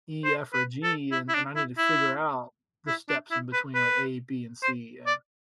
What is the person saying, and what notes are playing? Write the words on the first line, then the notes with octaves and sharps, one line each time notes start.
E, F or G and and I need to figure out the steps in between, like, A, B and C, yeah.
C5
B4
A4
E4
E4
D4
E4
E4
E4
D4
E4
B4
B4
C5
D5